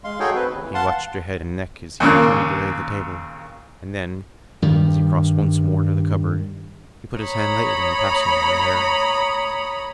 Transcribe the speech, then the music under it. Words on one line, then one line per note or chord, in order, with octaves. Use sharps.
He watched her head and neck as he continued to lay the table, and then, as he crossed once more to the cupboard, he put his hand lightly in passing on her hair.
G#3 F5 C6
D#4 F#4 G#4 A4 C#5 G5
C4 B4
D#2 C#3
E3
F5 F#5 A5 C6
D#2 A#2 C#3 A#3
G2 D#3 G3
C#5 A#5 B5 D#6